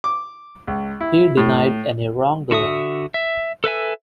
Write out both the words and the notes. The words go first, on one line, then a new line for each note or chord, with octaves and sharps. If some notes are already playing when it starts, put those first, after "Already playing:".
He denied any wrongdoing.
D6
C#2
E4
A2
D3 F#4 E5 D#6
E5
A4 B4 E5 G#5